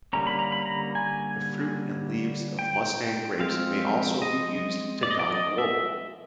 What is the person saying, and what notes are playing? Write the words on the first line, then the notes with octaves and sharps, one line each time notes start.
The fruit and leaves of Mustang Grapes may also be used to dye wool.
D3 G3 A#3 C#4 A#5
B5
A#5
B5
A#5
G#5
G5
F3 G#3 C4 F5
D#5
D5
D#5
D5
D#5
E5